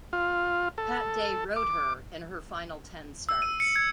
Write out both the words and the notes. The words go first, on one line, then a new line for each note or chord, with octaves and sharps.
Pat Day rode her in her final ten starts.
F4
A4
D6
E6
D#7
C#7
G#6